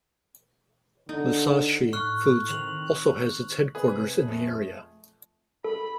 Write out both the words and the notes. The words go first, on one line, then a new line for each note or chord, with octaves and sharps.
Musashi Foods also has its headquarters in the area.
D3 D#4
A2 C#6 F6 F#6
D#3 C4 D#4 F7 F#7
C3 G#4 B4
F2 A3
A4 B5